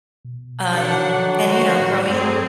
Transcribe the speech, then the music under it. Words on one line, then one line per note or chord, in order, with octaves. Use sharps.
Um, and, you know, growing
B2
D3 D#3 F#3 D4 F#5
F3
F#4 C5
A2
G2 F#3 C4 G#4 A4 C5